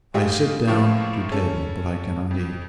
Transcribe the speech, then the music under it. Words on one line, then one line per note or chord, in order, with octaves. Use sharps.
I sit down to table; but I cannot eat.
G3 A3 F4 G4 G#4 D#5
A2 C#3 F3 A#3 E4 F4
C#3 C#4 A4
F2